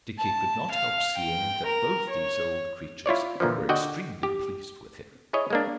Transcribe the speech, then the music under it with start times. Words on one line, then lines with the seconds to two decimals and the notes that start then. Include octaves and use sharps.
Dickie could not help seeing that both these old creatures were extremely pleased with him.
0.19 A5
0.72 F5
1.16 G5
1.66 A#4
2.10 C#5
3.06 E4 F4 C#5 D5
3.40 A#2 D3 E3 F3
3.69 D3 F#4 D5 D#5 F#5 G5
4.23 G4
5.33 E4 G#4 C#5 D#5
5.50 G#3 A#3 D4